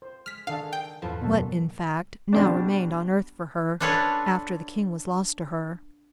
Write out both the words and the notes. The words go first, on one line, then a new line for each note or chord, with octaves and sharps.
What, in fact, now remained on earth for her, after the king was lost to her?
C5
G#3 F6 B6
D#3 D4 G#4 A4 F5 F#6
G5
E2 G#2 F3 F4 A4 B4
F#2 B2 G3 A#3 A4
B2 G3 D4
D4 F4 A4 B4 C#5